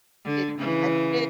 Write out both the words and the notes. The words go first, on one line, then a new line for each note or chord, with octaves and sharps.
It I did
D3
C#3 E3